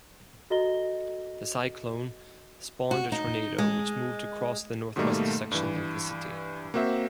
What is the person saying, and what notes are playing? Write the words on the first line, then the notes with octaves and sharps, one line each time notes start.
The cyclone spawned a tornado which moved across the northwest section of the city.
F#4 A4 D#5 A#5 A#6 G7
F#4
D#4
G#3
G#2 B2 D#3 G3 A3 A#3
G2 E3
A#3 C4 F#4 C5 E5